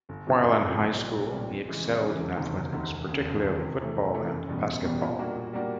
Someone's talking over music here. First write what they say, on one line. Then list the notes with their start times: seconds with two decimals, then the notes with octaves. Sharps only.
While in high school he excelled in athletics, particularly football and basketball.
0.09 G1
0.26 F2 C#3 F3
0.44 G1
0.61 F2 C#3 F3
0.79 B1
0.96 A#2 G3
1.15 B1
1.32 A#2 G3
1.49 F2
1.68 C#3 E3 G#3
1.84 F2
2.02 C#3 E3 G#3
2.20 E1
2.37 D2 C3 D#3
2.55 E1
2.72 D2 C3 D#3
2.90 E1
3.07 D#2 C#3
3.25 E1
3.43 D#2 C#3
3.61 C3
3.78 E3 A3
3.95 C3
4.14 E3 A3
4.31 F#1
4.49 E2 B2 G3
4.66 F#1
4.84 E2 B2 G3
5.01 A#2
5.19 G3 A#3 D4 F#4
5.36 A#2
5.53 G3 A#3 D4 F#4